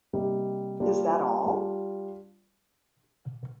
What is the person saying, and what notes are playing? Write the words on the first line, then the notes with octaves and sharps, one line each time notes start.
Is That All?
C3 G3 A#3 D#4 G4
G3 A#3 D4 F4
G3 D4 F4